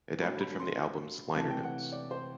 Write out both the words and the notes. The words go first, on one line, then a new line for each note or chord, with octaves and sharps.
Adapted from the album's liner notes.
D3 F#3 A3 B5
B5
C6
C3 E3 A3 A5
G5
F#5
D5
C5